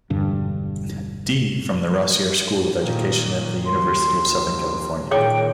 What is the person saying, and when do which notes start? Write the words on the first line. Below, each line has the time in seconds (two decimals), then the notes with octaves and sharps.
D. from the Rossier School of Education at the University of Southern California.
0.10 E1 G2 D3
2.77 A#2 D#3
3.66 D#2 C6
5.11 A#2 D#3 G#4 C#5 G5 D6